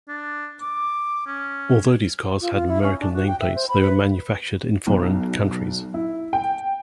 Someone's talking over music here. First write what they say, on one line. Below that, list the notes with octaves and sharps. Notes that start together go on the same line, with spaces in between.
Although these cars had American nameplates, they were manufactured in foreign countries.
D4
D6
C#4
F4
F4
E4
C#4
D4
F#4
G5
E5
C5
B5
B4
B1
E4
G5